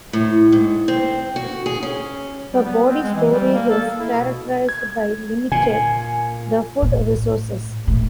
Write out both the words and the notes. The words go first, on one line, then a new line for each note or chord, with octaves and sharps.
The body storage is characterized by limited the food resources.
A2
G#2
C4
F#4
G#4
C#4
G3
B3
C4
G#3
E3
G3
A#3
A4
A#3
E4
B2
G#6
A#2 G#5
A2
A2